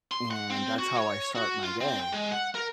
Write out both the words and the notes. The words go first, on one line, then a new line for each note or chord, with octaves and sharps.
and that's how I start my day.
C6
F#5
C4
F#4
C#5
F#4
F4
C4
G5
G#3
F#5
A#4